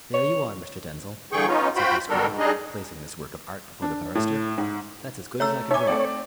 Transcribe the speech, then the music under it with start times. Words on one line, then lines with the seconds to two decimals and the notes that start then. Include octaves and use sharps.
"There you are, Mr. Denzil," said Miss Greeb, placing this work of art before the barrister, "that's as good as I can draw."
0.14 C#5
1.32 G2 D3 E3 G#4 G5 C#6
1.47 B3 C#4 D#4 F4
1.76 F4 F#4 C5 G5 B5
2.09 B2 D3 G3 D4 A4 A#4
2.27 G#2
2.39 G3 D4 D#4 G#4 D#5
3.82 D4
4.15 A2
4.58 G#2
5.40 A3 C#5 A#5 E6
5.71 D#4 C#5 E5 G#5 D6
5.87 A3 C4 D5